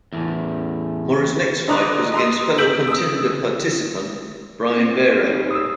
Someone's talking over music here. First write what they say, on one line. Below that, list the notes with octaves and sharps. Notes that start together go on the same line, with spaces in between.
Mora's next fight was against fellow Contender participant Brian Vera.
E2 A2
D3 D4 D#5 A#5 D6 F#6
D#5 A#5 C6 E6
E6 G6 B6 D7 F#7
D#6 E6
C4 C5
G3 D#4 C5 C#5
D#6 E6